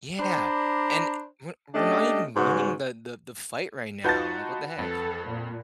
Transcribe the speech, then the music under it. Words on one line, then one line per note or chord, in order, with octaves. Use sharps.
Yeah, and we're we're not even winning the the the fight right now, like, what the heck?
D4 C5 D5 A#5 B5
A3 C#4 D4 G4 D#5
G#2 C#3 B3 C#4 F#4
D#4 F4 F#4 B4 F#5 A5 G6 A6
F2 A4
A#2